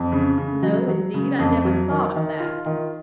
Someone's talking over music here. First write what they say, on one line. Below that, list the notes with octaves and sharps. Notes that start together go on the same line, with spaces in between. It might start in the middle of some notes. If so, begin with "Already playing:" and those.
"No, indeed, I never thought of that."
Already playing: F2
C#3
C#3
F#3
F#3
C#3
F2
F#3
D#3
D#3
F4
D#3